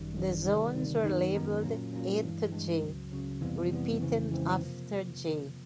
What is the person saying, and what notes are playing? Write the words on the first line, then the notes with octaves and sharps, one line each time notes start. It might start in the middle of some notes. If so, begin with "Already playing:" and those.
The zones were labelled A to J, repeating after J.
Already playing: G#1 F#2 D#3 G3
G#1 F#2 D#3 G3
D2 C3 D#3 G3
D2 C3 D#3 G3
F#2 D#3 F#3 B3 D#4
F#2 D#3 F#3 B3 D#4
A#2 F#3 A#3 C#4
A#2 F#3 A#3 C#4
G2 E3 G#3
G2 E3 G#3
C#2 C#3 F#3
C#2 C#3 F#3
F2 C3 E3 G3 B3
F2 C3 E3 G3 B3
F2 C#3 E3 G#3 C4
F2 C#3 E3 G#3 C4
C3 F3 A#3